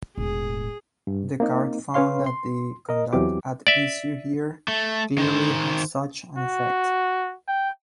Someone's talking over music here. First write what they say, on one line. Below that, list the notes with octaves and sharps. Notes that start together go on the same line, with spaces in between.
The Court found that the conduct at issue here clearly had such an effect.
E1 A2 G#4
G2
A#3 C4 D#4
C#4 B4 C#5 F5 C6
C6
A#4 D#5
E2 E3 F#3 C4 G4 D6
D5 E5
A3
D#3 C5
F#4
G5